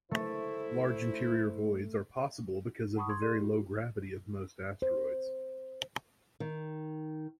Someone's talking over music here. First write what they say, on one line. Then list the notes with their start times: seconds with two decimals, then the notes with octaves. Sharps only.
Large interior voids are possible because of the very low gravity of most asteroids.
0.11 D3 A3 E4 C5
2.96 F#5 A5 B5 C#6 D#6
3.09 C6 G#6
3.22 G#4 A#4 D5 C6 D#7
3.40 F4 G4
4.82 C5
6.40 D#3